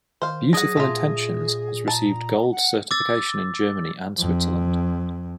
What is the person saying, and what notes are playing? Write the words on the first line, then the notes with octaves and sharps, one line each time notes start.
"Beautiful Intentions" has received Gold certification in Germany and Switzerland.
D#3 C5 F5
F#3 D4 G#4 F#5 D#6 G#6 A#6
A#2 A3 F4
A5 A#5
F#5
D6 E6 A6
F2